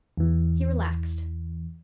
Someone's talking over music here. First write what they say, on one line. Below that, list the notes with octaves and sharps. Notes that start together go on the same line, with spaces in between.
He relaxed.
E2 E3